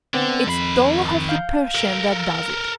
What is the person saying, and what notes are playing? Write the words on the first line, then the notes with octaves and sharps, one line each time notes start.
It's 'Dolokhov the Persian' that does it!
D3 B3 C4
F2 D#3 B5 C7
F5 G6
A4 A#4